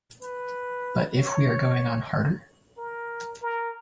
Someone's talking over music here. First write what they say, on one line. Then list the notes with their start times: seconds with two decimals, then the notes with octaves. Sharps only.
But if we are going on harder?
0.21 B4
1.17 C#5
2.78 A#4
3.42 A#4